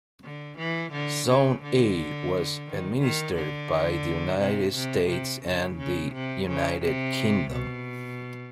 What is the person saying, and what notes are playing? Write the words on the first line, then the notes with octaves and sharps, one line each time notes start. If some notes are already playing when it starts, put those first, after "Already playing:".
Zone A was administered by the United States and the United Kingdom.
D3
E3
D3
C#3
D3
D#3
D#3
D3
C3
C3
C3
C#3
C#3
C3
C#3
C3
B2